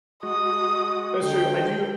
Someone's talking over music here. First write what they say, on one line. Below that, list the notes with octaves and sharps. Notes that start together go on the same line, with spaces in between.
That's true. I do
G#3 F#4 D#6
D3 G#3 G5